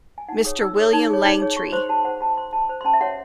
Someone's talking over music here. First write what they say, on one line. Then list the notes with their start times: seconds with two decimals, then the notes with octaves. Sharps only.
Mr. William Langtry.
0.18 G#5
0.28 D#4 F#5
0.44 G#4 C#5 D#6
0.61 D#4 E6
0.76 G#4 C#5 D#6
0.93 D#4
1.09 G#4 C#5
1.24 D#4
1.41 G#4 C#5
1.57 F#4 C#6
1.73 C5 C6
1.89 F#4 A5
2.05 C5 F#5
2.20 F#4 A5
2.37 C5 C6
2.53 F#4 A5
2.69 C5
2.81 C6
2.84 C#4 A5
2.94 E5
3.01 F#4 C#5 F#5